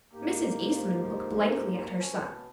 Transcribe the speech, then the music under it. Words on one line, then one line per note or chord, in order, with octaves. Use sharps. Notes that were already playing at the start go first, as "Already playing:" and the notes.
Mrs. Eastman looked blankly at her son.
G#2 A#3 G4
F3
B2 C#4 A5